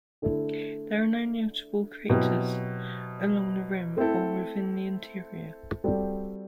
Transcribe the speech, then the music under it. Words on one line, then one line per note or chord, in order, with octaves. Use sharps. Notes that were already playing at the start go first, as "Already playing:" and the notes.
There are no notable craters along the rim or within the interior.
D3 A3 E4 A4
B2 F#3 C4 E4 G4
A3 C4 E4 A4
G3 C4 F#4 A4 D5